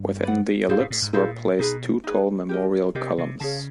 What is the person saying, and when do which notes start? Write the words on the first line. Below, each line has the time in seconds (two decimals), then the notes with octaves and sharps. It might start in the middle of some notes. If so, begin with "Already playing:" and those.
Within the ellipse were placed two tall memorial columns.
Already playing: G2
0.23 B4 D5 F#5
0.69 G2 E4 G#4 C5 F5
0.80 A2
0.91 A2
1.02 G#2
1.13 A#2 E4 G#4 C5 F5
1.59 B2 D#4 G#4 B4
2.04 D#4 G#4 B4
2.49 G4 A#4 D#5
2.95 C3 G4 A#4 D#5
3.18 C3
3.40 C#3 G#4 C#5 F5 A5